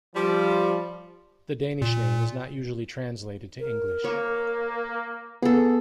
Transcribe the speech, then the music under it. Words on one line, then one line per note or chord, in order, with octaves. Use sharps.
The Danish name is not usually translated to English.
F3 G3
A#2
A#4
A#3 C#5
B3 G#4 A4